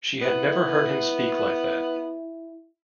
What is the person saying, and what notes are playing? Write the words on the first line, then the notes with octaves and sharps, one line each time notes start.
She had never heard him speak like that.
B3 E4